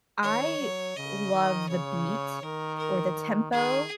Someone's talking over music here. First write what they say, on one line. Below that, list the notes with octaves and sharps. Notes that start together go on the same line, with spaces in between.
I love the beat or the tempo,
D#3 C#5
F#3
C#3 D#5
D#3
C#3 C#5
D#3 A#4
A#4
D#3 G#4